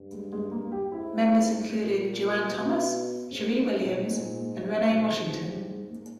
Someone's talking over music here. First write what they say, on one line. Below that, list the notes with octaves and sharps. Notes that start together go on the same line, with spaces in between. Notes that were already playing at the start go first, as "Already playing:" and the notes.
Members included Joanne Thomas, Cheri Williams, and Renee Washington.
Already playing: G2
G#3
G#3
A#3
G4
G#2 E4
A#2
B2 D#4
G#2 C#4
B2
A#2
B2
D#3
E3
G3
G#3
A#3